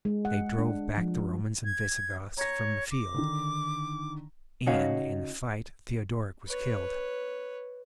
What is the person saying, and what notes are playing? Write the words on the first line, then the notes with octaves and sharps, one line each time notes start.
They drove back the Romans and Visigoths from the field, and in the fight Theodoric was killed.
G#3
F#5
D4
F3
G#6
C#5 A#5 A#6
D6
D3 D#3
C#3 C#4 D#4 F#4 C#5 F5
B4 C#5